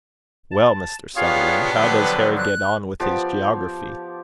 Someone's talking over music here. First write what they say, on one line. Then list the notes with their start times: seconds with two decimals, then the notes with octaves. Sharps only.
"Well, Mr. Sutherland, how does Harry get on with his geography?"
0.51 A5
1.16 B3 D4 F4 G4 G#4 C#5 F5
1.74 D3 F3 F#3 B4
2.37 F#6
3.00 F3 B3 G4 D5